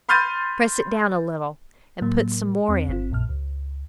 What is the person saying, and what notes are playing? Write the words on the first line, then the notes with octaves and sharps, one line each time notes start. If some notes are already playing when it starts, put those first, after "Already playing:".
Press it down a little, and put some more in.
B5 C6 F6 G6 A6 D#7
A2 F#3 A#3
E2 C4
G1 C4 F4
A#1 F#2 A#2 F6
C#2